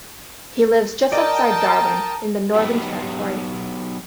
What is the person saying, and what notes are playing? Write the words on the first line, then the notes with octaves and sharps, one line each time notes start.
He lives just outside Darwin in the Northern Territory.
A#4 D5 D#5 G5 A5 A#5 D#6
F#3 B3 D#4 F#4 G4